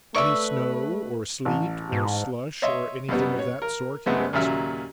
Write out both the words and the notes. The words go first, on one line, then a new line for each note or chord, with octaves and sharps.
'Any snow, or sleet, or slush, or anything of that sort?' he asked.
A3 B4 C#5 D5 E5 C#6 E6
A1
G#2
C#5 D#5 E5 C6
F#2 B2 G3 B3
C#5
A#4
F#2 C3 G#3 A3 B3
D#2 A#2 C#3 F#3 E5 F6